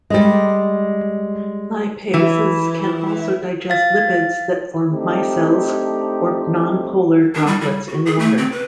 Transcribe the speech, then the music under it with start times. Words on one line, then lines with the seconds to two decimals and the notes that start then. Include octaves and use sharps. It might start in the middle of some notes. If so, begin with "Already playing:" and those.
Lipases can also digest lipids that form micelles or nonpolar droplets in water.
0.10 G3 G#3
2.14 E3
3.70 F5 A6
4.92 A3 C4 D4 D#4 G4
7.35 D4
7.47 G3
7.61 G3
7.88 F#4
8.06 G#4
8.19 A3
8.38 C4
8.52 B4